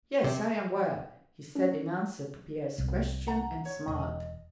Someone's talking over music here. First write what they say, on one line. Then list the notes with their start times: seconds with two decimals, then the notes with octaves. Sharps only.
"Yes, I am well," he said in answer to Pierre's question, and smiled.
0.24 C3
1.55 C#4
2.78 C2
3.27 F#5 A#5
3.65 C#5
3.87 E1 D#5